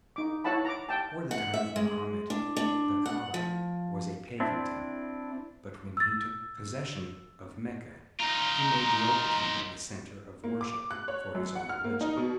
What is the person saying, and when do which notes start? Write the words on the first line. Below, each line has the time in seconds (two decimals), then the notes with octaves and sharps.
Before the time of Mohammed the Ka'a-ba was a pagan temple; but when he took possession of Mecca he made the old temple the centre of worship for his own religion.
0.16 D#4 D6
0.44 E4 C#5 F#5 A5 B5
0.65 A#5 D6
0.89 G5 A5
1.31 F#5
1.54 E5
1.76 G#3
2.30 D4
2.57 D4
3.06 F#5
3.34 F3
4.40 C4 D4 E4
5.97 E6 A6
8.20 D#4 F4 A#5
10.44 A#3
10.61 D6
10.91 F#6
11.08 C#5
11.35 F#2
11.56 F#5
11.69 F6
11.84 A#3
12.01 D#4
12.17 B2